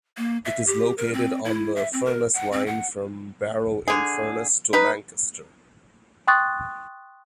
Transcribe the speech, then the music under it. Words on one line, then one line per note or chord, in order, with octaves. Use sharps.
It is located on the Furness Line from Barrow-in-Furness to Lancaster.
A#3
E5
G4
A#4
C4
E4
E5
C4
A#4
F#5
C4
F#5
D3 G#4
D#4 B4
G5 C6 C#6 D#6 F#6 A6